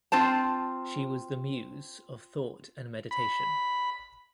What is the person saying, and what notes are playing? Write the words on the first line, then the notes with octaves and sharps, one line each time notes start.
She was the muse of thought and meditation.
C4 F4 C5 A5
B5